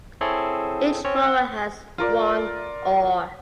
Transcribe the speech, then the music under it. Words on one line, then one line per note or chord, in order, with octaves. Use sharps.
Each rower has one oar.
C4 E4 G#4 A4 C#5
C4 C#4 C#5
F#5
F4 A#4 D5